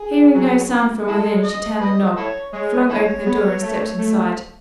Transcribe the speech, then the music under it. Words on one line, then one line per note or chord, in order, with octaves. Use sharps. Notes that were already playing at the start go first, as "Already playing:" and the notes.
Hearing no sound from within she turned the knob, flung open the door and stepped inside.
Already playing: G#4
F#3
G#3 E4 A4
D#5
B4 D#5
E4 A4 C#5
G#3 C#5
E4 A4 C#5
B3
A3
A3